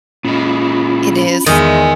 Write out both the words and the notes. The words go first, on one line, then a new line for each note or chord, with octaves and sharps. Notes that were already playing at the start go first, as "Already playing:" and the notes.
It is.
A#2 G#3 C#4 F4 B5
E2 D#3 G#3 D5 D#5 G#5